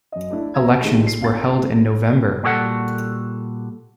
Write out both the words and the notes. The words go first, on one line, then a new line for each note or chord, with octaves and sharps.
Elections were held in November.
F#2 D#5
A3 D4 E4
B2 E5 A#5 E6 G#6
D#3 G#3 A3 G4
A#2 C7
G1 F5 A6
A#2 G3 F#4 G4 A4 F#5